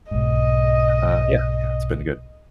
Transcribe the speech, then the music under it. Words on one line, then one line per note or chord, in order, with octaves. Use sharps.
uh, yeah, yeah, it's been good.
B1 G#2 D#5